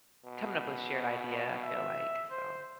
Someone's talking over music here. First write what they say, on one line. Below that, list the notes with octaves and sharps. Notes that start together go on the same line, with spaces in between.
coming up with a shared idea, I feel like, so
B2
E5
C5